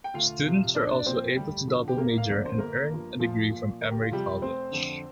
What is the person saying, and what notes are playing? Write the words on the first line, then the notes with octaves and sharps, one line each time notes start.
Students are also able to double major and earn a degree from Emory College.
G5
D2 F4 F5
C3 F3
A#1 D4 D5
D5
A#2 F3 C4 C5
D2 G3 G4
D3 F3
G4
F1 A#3 A#4
F5
F2 D3 D5
C5
G1 A#3 A#4
G2 F3
A#1 F3 F4
A#2 F3
D2 A#4
G4
F4
C3 F3 G3 G4
F1 C4 C5
F2 D3